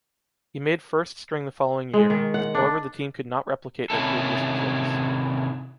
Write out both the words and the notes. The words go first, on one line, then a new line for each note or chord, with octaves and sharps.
He made first-string the following year, however the team could not replicate their previous results.
G#3
D#3
F#5
D4
C3 D#3 C#4 E4 A4